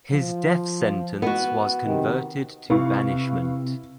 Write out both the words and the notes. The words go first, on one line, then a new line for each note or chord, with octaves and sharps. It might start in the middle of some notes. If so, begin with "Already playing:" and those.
His death sentence was converted to banishment.
F3
B3 F#4
C3 D#3
C3 E4 B4 F5 C#6